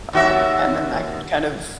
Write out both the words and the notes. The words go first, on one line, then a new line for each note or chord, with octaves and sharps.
um, and then that could kind of
D#2 F#4 E5